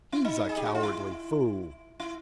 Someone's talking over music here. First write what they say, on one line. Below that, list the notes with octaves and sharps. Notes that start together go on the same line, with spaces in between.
"He's a cowardly fool!"
E4
D#4
G#4
G4
F#4
F4
E4
E4